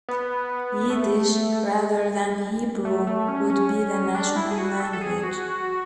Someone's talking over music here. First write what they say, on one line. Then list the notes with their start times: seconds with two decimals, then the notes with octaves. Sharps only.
Yiddish, rather than Hebrew, would be the national language.
0.09 B3
0.90 A3
2.85 A3
3.07 A3
3.28 C#4
3.50 C#4
4.15 D4
4.36 E4
4.51 G#4
4.58 F#4
4.80 A4
4.93 A4
5.02 G#4
5.23 F#4